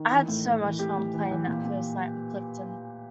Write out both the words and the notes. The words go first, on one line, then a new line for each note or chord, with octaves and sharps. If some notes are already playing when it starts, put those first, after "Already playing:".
I had so much fun playing that first night with Clifton.
Already playing: D#3
E3
A2
A2
E3
A2 G4
A2
E3
E3
A#2
A#2